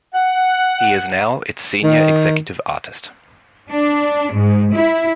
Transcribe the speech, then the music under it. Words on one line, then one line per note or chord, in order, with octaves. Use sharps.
He is now its senior executive artist.
F#5
D#3
D4
G#2
E4